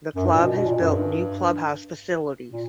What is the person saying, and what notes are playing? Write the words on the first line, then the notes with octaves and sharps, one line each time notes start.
The club has built new clubhouse facilities.
F#2
G2
A#2
B2
B2
A#2
F#2
G2
A#2